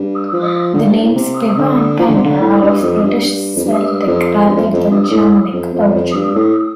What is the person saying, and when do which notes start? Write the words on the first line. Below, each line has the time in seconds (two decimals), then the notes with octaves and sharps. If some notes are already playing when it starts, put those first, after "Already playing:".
The names Pybba and Penda are of British Celtic, rather than Germanic, origin.
Already playing: G2
0.33 F3
0.74 D3
0.89 G2
1.03 A2
1.16 C3
1.57 D3
1.99 F3
2.08 D3
2.16 C3
2.25 D3
2.40 A2
2.62 G2
2.82 F2
3.03 G2
3.24 G2
3.56 F2
3.65 G2
4.07 F2
4.49 G2
4.56 F2
4.72 F2
4.90 G2
5.11 A2
5.53 F2
5.74 F2
5.94 F2
6.15 G2
6.36 A2